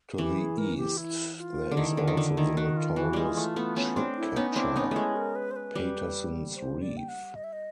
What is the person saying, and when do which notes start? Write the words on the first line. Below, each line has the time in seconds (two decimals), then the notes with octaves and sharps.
To the east there is also the notorious "ship catcher", Paterson's Reef.
0.18 E3 G4
0.38 G#4
0.58 A#4
0.78 G4
0.97 E4
1.38 F4
1.71 D3
1.77 D#3 E4
1.97 D3
2.04 D#3 F4
2.17 D3
2.31 E4
2.37 D#3
2.57 D#3 F#4
2.77 F4
2.96 E3 F#4
3.13 G3 G#3 F4
3.37 A3
3.56 A3 B3
3.76 B3 C#4
3.96 C4 D4
4.17 E4
4.36 B3 C#4 D#4
4.51 D#4
4.56 C4 D4 E4
4.76 B3 C#4 D#4
4.91 G#3 A3 E4
5.16 A#4
5.36 B4
5.51 C5
5.56 B4
5.75 G3
6.56 C5
6.82 D5
6.97 G5
7.08 F#5
7.35 D#5
7.44 E5
7.53 D#5